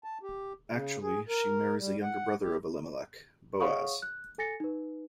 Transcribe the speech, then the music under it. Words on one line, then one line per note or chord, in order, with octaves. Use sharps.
Actually, she marries a younger brother of Elimelech, Boaz.
A5
G4
C#3
G#4
A#4
G3
F#5
G4
G#4 C#5 F5 F#5 C#6 D#6
F#6
A4 G#5 A6 A#6 C#7
D#4 B4